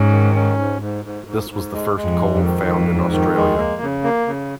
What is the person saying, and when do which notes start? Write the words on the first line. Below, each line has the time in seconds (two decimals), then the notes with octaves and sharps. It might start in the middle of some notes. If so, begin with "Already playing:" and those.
This was the first coal found in Australia.
Already playing: G#2 C#4
0.11 D#3
0.35 C#4
0.59 G#2
0.81 G#2
1.05 G#2
1.27 G#2
1.50 G#2
1.74 G#3
1.96 G#3
2.04 F2
2.20 G#2
2.35 F2
2.43 D#3
2.65 F2 G#2
2.90 G#2
3.12 D#3
3.35 G#3
3.58 A#3
3.82 C#3
4.04 A#3
4.27 C#3